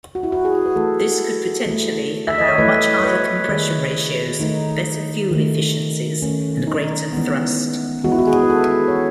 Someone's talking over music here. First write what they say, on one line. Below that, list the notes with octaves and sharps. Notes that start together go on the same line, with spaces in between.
This could potentially allow much higher compression ratios, better fuel efficiencies, and greater thrust.
F#4
E4
F#4
G#4
B4
E3 A3 A4
E3 A3
E5
D#5
C#5
E3 A3 B4
C#5
B4
D#3 A3 G#4
D#3 A3 D#4
D#3 A3
D#3 A3 C#4
D#4
E3 G#3 B3
E3 G#3 B3 F#4
E4
F#4
G#4
B4
A4
C#5
E3